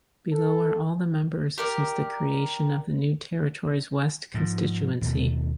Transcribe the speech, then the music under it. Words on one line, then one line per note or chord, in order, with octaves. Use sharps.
Below are all the members since the creation of the New Territories West constituency.
A4
G4 A#4 D5
G#2 F3
D#2 B2 A3